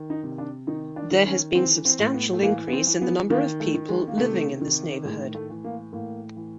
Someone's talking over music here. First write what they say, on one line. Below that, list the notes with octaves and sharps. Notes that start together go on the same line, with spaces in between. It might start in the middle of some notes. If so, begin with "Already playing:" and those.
There has been substantial increase in the number of people living in this neighborhood.
Already playing: D#3
D#4
C3
D4
D#3 D#4
D4
D#3
C#4
E3 C4
C4
A2
B3
A3
E3 A#3
B3
C4
E3
B3
D#3 A#3
A3
D#3
G#3
A#3
C3 A3
D#3
A2 G#3
A3
E3
A#3
A2 A#3
E3